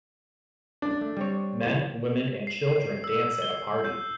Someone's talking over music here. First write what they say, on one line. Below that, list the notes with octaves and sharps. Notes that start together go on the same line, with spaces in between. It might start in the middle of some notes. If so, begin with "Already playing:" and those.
Men, women and children dance at a party.
D4
A3
G3 C4 C#5
A2 C5
C7
E6
G7
G6